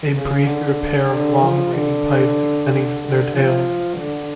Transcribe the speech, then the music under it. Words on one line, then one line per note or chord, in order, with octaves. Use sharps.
They breathe through a pair of long breathing pipes extending from their tails.
C#3
D3
D3
F3
D3
D3
F3
D3